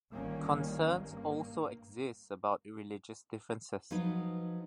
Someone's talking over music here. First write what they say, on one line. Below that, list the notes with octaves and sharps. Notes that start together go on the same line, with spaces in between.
Concerns also exist about religious differences.
G1 D#3 G3 A#3 C#4
G2 A#3
F3 F#3 D#4 B4